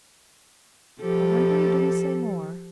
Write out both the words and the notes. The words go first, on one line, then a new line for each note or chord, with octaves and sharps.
"I wonder you didn't say more."
F3 G4 A4